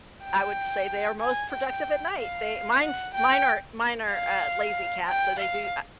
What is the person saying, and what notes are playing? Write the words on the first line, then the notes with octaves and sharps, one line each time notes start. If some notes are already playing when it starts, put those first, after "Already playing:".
I would say, they are most productive at night. They Mine's mine are mine are, uh, lazy cats, so they do, uh
G5
G#5
G5
F5
F#5
G5
F5
G5
F5